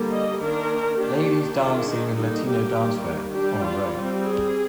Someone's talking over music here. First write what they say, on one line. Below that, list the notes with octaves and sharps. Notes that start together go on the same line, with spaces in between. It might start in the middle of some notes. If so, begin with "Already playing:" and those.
Ladies dancing in Latino dancewear, on a road.
Already playing: D3 G3 A#3
D#5
D#3 A#3 D4 A#4
D#3 A#3 D4 G4
D#3 G#3 D4 F4
D#4
D3 G3 A#3 D#4
G4
D#3 G3 A#3
G3 D4 G4
F4
G3 C4
G#4